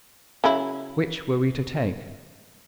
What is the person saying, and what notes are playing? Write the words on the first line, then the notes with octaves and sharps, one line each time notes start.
Which were we to take?
C#3 F#3 E4